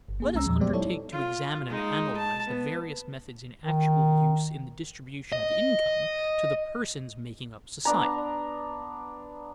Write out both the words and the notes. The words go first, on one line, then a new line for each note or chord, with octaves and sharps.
Let us undertake to examine and analyze the various methods in actual use in the distribution of income to the persons making up society.
G1
A#3 G#4
C2 G#3 C#4 A#5 E6 A#6
E2 A#2 F3
F#3 G#3 B3 G4 C5 D5
D#4 E4 A4 C#5
F4
G#3 D#4
A5
B3
D#3
D#5
B3 D4 A#5